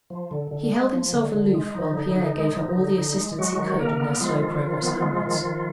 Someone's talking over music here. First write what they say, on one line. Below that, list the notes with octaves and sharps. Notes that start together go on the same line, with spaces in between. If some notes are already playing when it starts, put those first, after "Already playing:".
He held himself aloof while Pierre gave her all the assistance he could in their slow progress homewards.
F3
D3
D3
G#3
F3
D3
D3
G#3
F3 D#4
D3
D3
G#3
F3
D3
D3
G#3
F#3 G#3 F#4
D#3
D#3 A#3 A#4
B3
F3 G#3 F4
D#3
D#3
B3
G#3
D#3
D#3